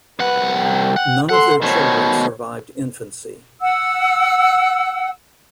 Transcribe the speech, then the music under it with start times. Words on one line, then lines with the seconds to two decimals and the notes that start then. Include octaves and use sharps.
None of their children survived infancy.
0.19 C2 B4 F#5
0.57 G5
0.96 F#5
1.29 A4 F#5 C6
1.62 B2 D#3 C5 C#5
3.61 F#5 E6